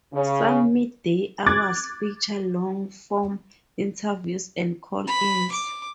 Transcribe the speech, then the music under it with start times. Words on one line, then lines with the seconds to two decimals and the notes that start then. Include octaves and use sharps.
Some midday hours feature longer-form interviews and call-ins.
0.14 C#3
1.46 D6 F#6 G#6 A6
5.08 B5
5.52 D6